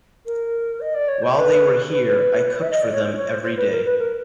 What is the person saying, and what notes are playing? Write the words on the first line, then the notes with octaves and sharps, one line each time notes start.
While they were here, I cooked for them everyday.
A#4
D#5
D5
C#5
C5
B4
B4
E5
D#5
D5
C#5
C5
C#5
C5
C5
B4
A#4
B4
A#4